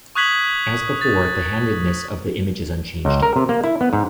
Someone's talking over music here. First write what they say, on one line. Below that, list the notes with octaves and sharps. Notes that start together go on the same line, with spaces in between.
As before, the handedness of the image is unchanged.
C#6 D#6 F#6 G#6 B6 F#7
A6
C#2
A#4
C3
A#3
E4
B3
G#2